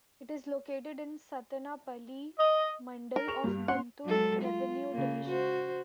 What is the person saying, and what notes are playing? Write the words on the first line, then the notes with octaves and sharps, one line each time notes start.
It is located in Sattenapalle mandal of Guntur revenue division.
D#5
A#4
G#4 C#6 F7
G2 G3
A#2 C#4 F#5 C6
F#3 G#3 A4
F4
C#3 A#3
F#4 C5